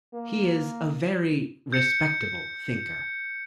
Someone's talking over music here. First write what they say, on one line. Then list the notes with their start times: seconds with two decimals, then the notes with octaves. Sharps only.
He is a very respectable thinker.
0.14 A#3
1.72 G6 C#7